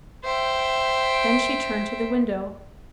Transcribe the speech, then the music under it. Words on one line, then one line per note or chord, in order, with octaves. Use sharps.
Then she turned to the window.
C5 E5 G5